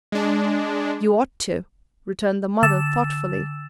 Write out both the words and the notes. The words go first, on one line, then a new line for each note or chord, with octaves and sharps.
"You ought to," returned the mother, thoughtfully.
G#3 D4
D3 E6 A6 E7